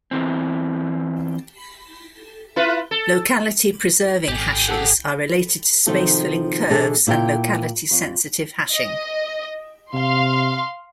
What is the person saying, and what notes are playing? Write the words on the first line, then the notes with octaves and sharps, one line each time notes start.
Locality preserving hashes are related to space-filling curves and locality-sensitive hashing.
E2 E3 C4
E4 F4 B4
A4
G#1 G4 G#4
A4 F#5
C3 D#3 F3 D#4 F#4 A4
B2 E3 D4 G#4 A4
A#2 E4 A#4 B4 G5
F2
D#5
C3 F5 C6